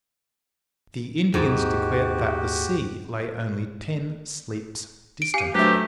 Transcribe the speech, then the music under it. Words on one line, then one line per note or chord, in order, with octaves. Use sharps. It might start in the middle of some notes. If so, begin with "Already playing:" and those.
The Indians declared that the sea lay only ten 'sleeps' distant.
D#2 G#2 F#4 G4
D7
G4 F5 G#5 D#7
F#3 A3 D4 G4 B4 C5